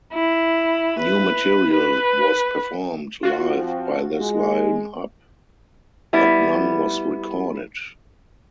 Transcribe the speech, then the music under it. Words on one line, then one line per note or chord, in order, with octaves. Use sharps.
New material was performed live by this line-up, but none was recorded.
E4
B4
B4
F4 F#4
F3 C4
G#3
G3 B3 E4